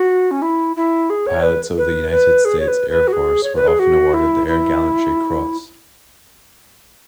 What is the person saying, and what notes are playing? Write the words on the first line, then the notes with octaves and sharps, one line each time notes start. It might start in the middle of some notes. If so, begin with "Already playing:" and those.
Pilots of the United States Air Force were often awarded the Air Gallantry Cross.
Already playing: F#4
C#4
E4
E4
G#4
C#5
B4
B4
B4
G#4
C#5
B4
B4
F#4
G#4
C#5
B4
G#4
F#4
E4
E4